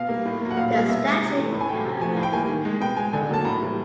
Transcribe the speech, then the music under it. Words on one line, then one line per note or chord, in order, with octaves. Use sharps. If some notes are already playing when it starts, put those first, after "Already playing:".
The statue did however remain stored.
Already playing: B2 F5
G3 A#3
A2
F#3 A#3
F#5
A#2 F5
G3 A#3 F5
B2 E5
G#3
C3
E3 A3
A2
G#5
F#3 A3 G5
C3
F3 A3 G#5
A2
G5
E3 G3 A#3 G#5
D#3
G#3
B2 G5
G#3 G#5
D3 G#5
F#3 A#3 A5
A2 A#5
E3 G3 A#3